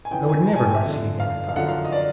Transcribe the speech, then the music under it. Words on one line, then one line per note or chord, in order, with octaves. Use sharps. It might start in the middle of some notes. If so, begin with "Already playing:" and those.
I would never go to sea again, I thought.
G#5
F2 C#3 E3 G5
G#5
A5
G#5
G5
E5
F2 D3 F3
F5
F5
F#2 D3 F3 F#5
F5
D#5
D5